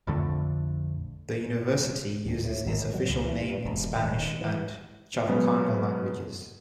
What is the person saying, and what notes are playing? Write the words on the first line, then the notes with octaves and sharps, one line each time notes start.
The university uses its official name in Spanish and Chavacano languages.
A#1 F2 D3 A3
D2
A2
G#1
A2
F#3
C#2
E3
G2
E1
D#1
D#3
E3
B2 F#3 G#3 B3 C#4